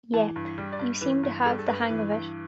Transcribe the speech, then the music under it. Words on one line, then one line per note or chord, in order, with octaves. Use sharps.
Yep, you seem to have the hang of it.
E3 A5
G2
G3
D5
G2
E3 B4
G2
G3 A4
A4
G2 B4
E3
G2